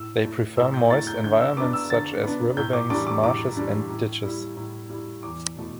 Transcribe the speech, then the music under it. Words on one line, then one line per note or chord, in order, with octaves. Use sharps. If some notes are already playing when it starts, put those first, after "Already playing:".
They prefer moist environments such as riverbanks, marshes and ditches.
Already playing: A2 E6
A3 E4
A2 E6
G6
A3 E4 A6
G6
D3 G6
E6
B3 D4 D6
E6
D3 A6
B3 D4
A2 G6
D6
E3 G3 D4 D6
D6
A2 D6
E3 G3 D4
A2
G3 E4
A2
G3 E4
E2 D6
B2 A3 E4